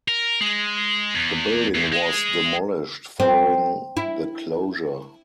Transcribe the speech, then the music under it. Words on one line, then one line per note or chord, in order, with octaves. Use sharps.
The building was demolished following the closure.
A#4
G#3
E2
E2
G#3
C4
E4